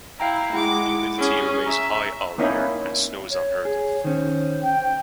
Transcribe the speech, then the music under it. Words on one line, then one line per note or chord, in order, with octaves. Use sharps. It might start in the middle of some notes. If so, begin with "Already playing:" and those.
Humidity remains high all year, and snow is unheard of.
E4 F5 G5 A#5
G#3 E4 F#5 D6
C#4 G#4
E5 A#5
A#3 C4 C#4 D#4 E4
C#5
G#4
D#3 C#4 C5
G5